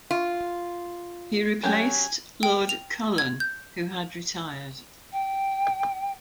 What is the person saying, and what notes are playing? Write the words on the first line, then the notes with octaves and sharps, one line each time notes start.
He replaced Lord Cullen, who had retired.
F4
F#3 C#4 G4 G#5
G5
F7
G#6
G6
G5